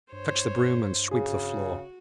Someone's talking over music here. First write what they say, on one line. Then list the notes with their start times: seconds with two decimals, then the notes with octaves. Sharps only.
Fetch the broom and sweep the floor.'
0.12 G2 C5 C#5
1.11 C#3 F#4 G#4